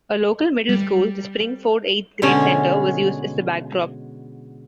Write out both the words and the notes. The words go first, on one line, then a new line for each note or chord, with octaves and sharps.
A local middle school, the Spring-Ford Eighth Grade Center, was used as the backdrop.
G3
B2 D3 G#3 C#4